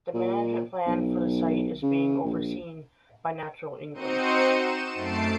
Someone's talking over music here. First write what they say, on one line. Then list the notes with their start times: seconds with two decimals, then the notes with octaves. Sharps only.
The management plan for the site is being overseen by Natural England.
0.14 A#2
0.87 B1
1.82 C#3
2.25 A#1
3.94 C4 D#4 F#4 C5 C#7 D#7
4.52 E7
4.95 F#2 A3 A5 C7 D7